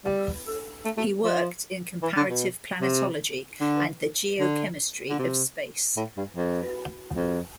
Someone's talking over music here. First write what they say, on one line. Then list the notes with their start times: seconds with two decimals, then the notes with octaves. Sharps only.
He worked in comparative planetology and the geochemistry of space.
0.05 G3
0.85 A3
0.98 A3
1.25 F3
2.03 E3
2.17 D3
2.30 B2
2.82 C3
3.61 D3
4.40 D3
5.10 D3
5.19 C3
5.97 A2
6.17 G2
6.36 F2
7.16 F2